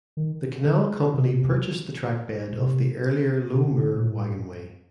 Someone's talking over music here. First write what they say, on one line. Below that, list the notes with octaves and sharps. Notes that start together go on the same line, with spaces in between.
The canal company purchased the trackbed of the earlier Low Moor Waggonway.
D#3
D3
C3
A#2
C3
C3
C3
D3
A#2
A2